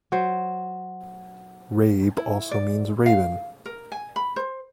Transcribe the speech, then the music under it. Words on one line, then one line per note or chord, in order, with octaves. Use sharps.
Rabe also means Raven.
F#3 C5
E4
D5
F5
A#4
G#5
B5
C5